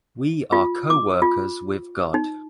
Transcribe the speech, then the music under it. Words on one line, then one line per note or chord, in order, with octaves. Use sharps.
We are co-workers with God.
F4
D6
F4
D#4